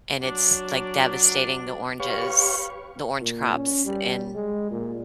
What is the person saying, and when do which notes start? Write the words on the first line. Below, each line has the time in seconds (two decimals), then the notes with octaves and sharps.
and it's, like, devastating the oranges, the orange crops, in
0.22 F#3 D4
2.00 G4 B4 C#5 F5 C#6
3.21 A#2
3.53 C#4
3.85 G3
4.35 G#3
4.71 A#2